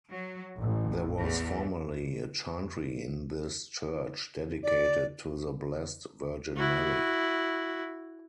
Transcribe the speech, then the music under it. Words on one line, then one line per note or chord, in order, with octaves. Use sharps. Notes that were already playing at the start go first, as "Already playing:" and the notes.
There was formerly a chantry in this church, dedicated to the Blessed Virgin Mary.
F#3
A1
E2
D5
E4 F#4